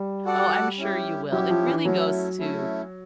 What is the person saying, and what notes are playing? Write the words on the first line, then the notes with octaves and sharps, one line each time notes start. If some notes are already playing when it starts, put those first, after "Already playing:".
Oh, I'm sure you will. It really goes to,
Already playing: G3
F#4 A4 D5 F#5
C#4 E4 G4
F#3 C#4 E4 G4
F3
E3
F#3 A3 C#4 E4
A3 C#4 E4